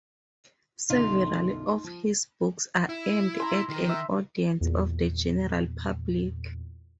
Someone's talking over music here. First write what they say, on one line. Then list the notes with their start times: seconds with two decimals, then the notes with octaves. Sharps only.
Several of his books are aimed at an audience of the general public.
0.90 B1 F#2 D3 D#4 F4
1.84 F3
2.89 E4
3.40 A#5 C6
3.70 D#3
3.89 E5
4.61 E2 A#2